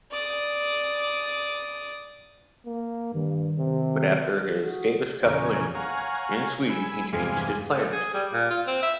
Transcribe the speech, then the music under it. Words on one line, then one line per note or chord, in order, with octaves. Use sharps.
But after his Davis Cup win in Sweden, he changed his plans.
D5 D#6
A#3
G2 D#3
C3
F#4 G#4
E2 A#2 C#3 C#4 A#4 G#5
C#5 F5 F#5 G#5 A#5
G#5 B5 E6
E2 G2 C3 G#3 F5 G#5
A3
G#4
G3
A#2
F4
C4
E5